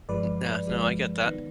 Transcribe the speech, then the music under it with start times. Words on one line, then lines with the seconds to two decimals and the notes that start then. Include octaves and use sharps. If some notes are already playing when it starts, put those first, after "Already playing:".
M uh, no. I get that.
0.09 G1 G2 F3 G#3 B4 D5
0.67 G1 G2 F3 G#3
1.24 D#3 B3